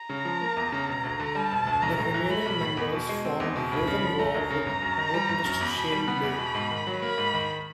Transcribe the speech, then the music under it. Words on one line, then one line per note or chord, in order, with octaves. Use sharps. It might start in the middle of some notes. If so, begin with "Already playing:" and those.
The remaining members formed Wovenwar with vocalist Shane Blay.
Already playing: A#5
C#3
F3
A#3
E2
C#3
E1
D2
D3
G3 A5
E1
D2
B1 A#5
A2
E3
A3 B5
B1
A2
E2
B2
G#3
C4
E2
B2
D2 B5
C#3
F3
A3 A#5
D2
C#3
G1 A#5
F#2
D#3
G3
G1
F#2
E2 B5
B2
G3
B3 B5
E2
B2
G#2
D#3
F#3
A#3 B5
G#2
D#3